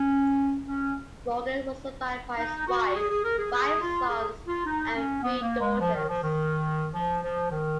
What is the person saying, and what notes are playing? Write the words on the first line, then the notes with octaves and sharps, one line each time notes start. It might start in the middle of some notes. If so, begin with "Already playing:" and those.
Morgan was survived by his wife, five sons and three daughters.
Already playing: C#4
C#4
D#4
F#4
G#4
G#4
A#4
G#4
G#4
F4
G#4
F4
D#4
C#4
B3
A#3
G#3
F3
D#3
F3
D#3
F3
F3
D#3